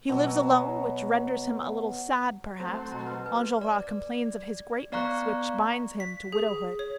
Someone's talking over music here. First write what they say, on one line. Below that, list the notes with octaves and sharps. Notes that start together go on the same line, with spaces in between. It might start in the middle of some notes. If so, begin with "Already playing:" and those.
He lives alone, which renders him a little sad, perhaps; Enjolras complains of his greatness, which binds him to widowhood.
B2 F#3
F#3 A3 C4 C5
B2 A#5
B4
B4
D5
B3 D5 F5 A#5 C#6 F#6
B6
G#4
C#5